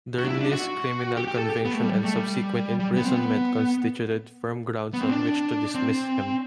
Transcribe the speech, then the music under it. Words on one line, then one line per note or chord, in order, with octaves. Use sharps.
Dernley's criminal conviction and subsequent imprisonment constituted firm grounds on which to dismiss him.
F#4
D4
E4
D4
F#4
G4
G4
A4
G4
B3
A3
G3
G3
A3
G3
G3
B3
C4
B3
B3
C4
D4
C4